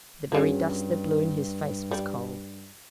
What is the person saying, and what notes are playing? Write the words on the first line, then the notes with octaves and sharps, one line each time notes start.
The very dust that blow in his face was cold.
G2 C#3 F#3
G3